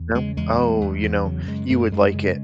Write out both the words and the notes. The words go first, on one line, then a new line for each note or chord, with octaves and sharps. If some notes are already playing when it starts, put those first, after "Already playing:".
No? Oh, you know, you would like it.
Already playing: E2
C#3 G#3
E2 G#3
E2
E2
E2
C#3 F#3
F#2 G#3
F#2 A3
F#2 G#3
C#3